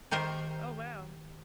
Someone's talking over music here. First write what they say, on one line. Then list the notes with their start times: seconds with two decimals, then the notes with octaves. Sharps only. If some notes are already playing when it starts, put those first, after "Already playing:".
Oh, wow.
0.11 D#3 D#4 G4 A#4 C5